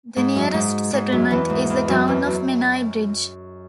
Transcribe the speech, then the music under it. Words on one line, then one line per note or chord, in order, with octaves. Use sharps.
The nearest settlement is the town of Menai Bridge.
G#2
F#2
G#2
G#2
F#2
E2 E3
G#2
E2
F#2
E2
F#2